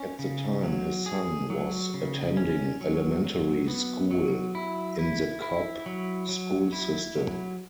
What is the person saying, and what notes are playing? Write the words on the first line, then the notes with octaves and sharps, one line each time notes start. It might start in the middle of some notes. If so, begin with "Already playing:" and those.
At the time his son was attending elementary school in the Cobb school system.
Already playing: C#4
C#3
F#3
G#4
F#3
C#3
C#4
F#3
F#3
B3
F#3
E4
E4
E4
F#3
F#3
E4
F#3